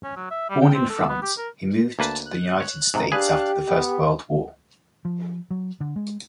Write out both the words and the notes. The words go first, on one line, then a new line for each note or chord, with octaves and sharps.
Born in France, he moved to the United States after the First World War.
C#4
F#3
E5
G3
G5
C4
A4
B3
G4
A#4
D2 A#3 B4 A5
F#6
C#5
G#2 C3 A#5
D4 G4 G#4 B4 F5 F#6
B3
F3
F#3
D3
G#3